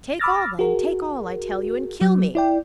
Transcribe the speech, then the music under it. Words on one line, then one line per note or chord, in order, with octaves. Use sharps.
"Take all, then--take all, I tell you, and kill me!"
B5 D6 E6 F6 A6 A#6
F#4 G#4 A#4
F#3
E4 D5 G5